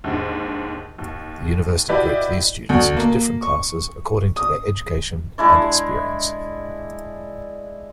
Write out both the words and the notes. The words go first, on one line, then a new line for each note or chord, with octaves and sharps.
The university grouped these students into different classes according to their education and experience.
D#2 G#2 D3
D#2
E4 F#4 G4 B4 D5 D#5
D2
A#3
C#6
D#6
G#3 D4 E4 D5